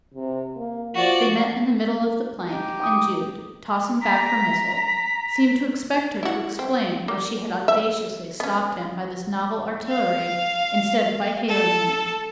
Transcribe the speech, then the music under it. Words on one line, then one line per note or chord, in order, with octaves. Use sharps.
They met in the middle of the plank, and Jude, tossing back her missile, seemed to expect her to explain why she had audaciously stopped him by this novel artillery instead of by hailing him.
C3
A#3
F3 F#4 D5
D#4 G4
G5 D6 D#6
A#5 B6
E4 F#4
C4
A#3
E5
B3 C#4
F5
A4